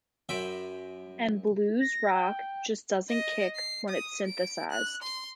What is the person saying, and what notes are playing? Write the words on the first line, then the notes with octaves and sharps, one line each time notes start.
And blues-rock just doesn't kick when it's synthesized.
F#2 C5 E5 G5 B5
A#6
G5
D#5
C7
D#6
D7
F#6
C6